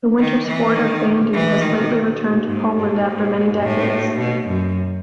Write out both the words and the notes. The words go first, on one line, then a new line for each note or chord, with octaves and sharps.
The winter sport of bandy has lately returned to Poland after many decades.
D#3
E3
D#3
E3
D#3
G#2
G#2
A2
B2
F#2